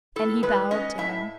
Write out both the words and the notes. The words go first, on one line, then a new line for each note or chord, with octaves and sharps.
And he bowed to him.
A2 A4
G#3 B4
C#4 D#5
A2 E5